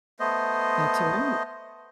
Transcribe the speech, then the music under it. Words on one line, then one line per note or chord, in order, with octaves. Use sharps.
That's right.
A3 B3 C5 D#5